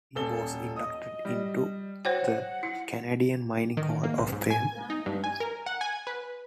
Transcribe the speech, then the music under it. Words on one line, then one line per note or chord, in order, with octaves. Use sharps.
He was inducted into the Canadian Mining Hall of Fame.
D#1 A4 G7
D#5 D#6
G3
F#4 C5 C#5 F#5 G5
E4 C#7
D#3
A#3
B1
G#2
G#5
D#4
G2
G#5
A#4
F#5
G#5
B4